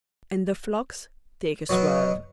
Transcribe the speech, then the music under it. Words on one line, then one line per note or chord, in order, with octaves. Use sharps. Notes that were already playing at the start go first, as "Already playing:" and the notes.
And the flocks take a swerve.
B2 F#3 C#5